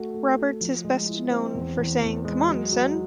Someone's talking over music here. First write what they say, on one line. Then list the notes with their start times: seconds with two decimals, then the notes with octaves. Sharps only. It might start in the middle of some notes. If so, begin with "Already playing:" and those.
Roberts is best known for saying C'mon, son!
Already playing: A3 F#4
0.14 A3
0.38 F#4
0.61 F3
0.85 G#3
1.08 E4
1.31 C4
1.55 E2
1.78 E2
2.02 E2
2.25 G#3
2.49 F#3
2.72 F#3